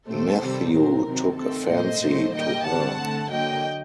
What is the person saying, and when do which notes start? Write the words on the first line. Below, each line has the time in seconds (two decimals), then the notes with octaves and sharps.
Matthew took a fancy to her.
0.08 A#2 A3 C4 A4 C5
0.41 C3 D#3 G3 C4
0.73 A#2 F#3 C4 A#4
1.05 C3 D#3 F#3 C4
1.38 D#3 A3 C4 A4
1.70 A#2 A3 C4 C5 D#5
2.03 A#2 F#3 A3 C4
2.35 D#3 G3 A#3 D#5 G5
2.67 D3 G3 C4 F#5 A5
3.00 D3 A3 C4
3.32 D3 F#3 A#3 D#5 G5